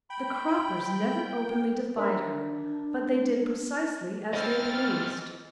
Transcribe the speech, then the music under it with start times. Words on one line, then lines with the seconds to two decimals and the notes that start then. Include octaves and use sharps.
The Croppers never openly defied her, but they did precisely as they pleased.
0.10 G5 B5
1.97 D4 A#4 D5 E5
4.33 E3 C4 D#5 F6 A6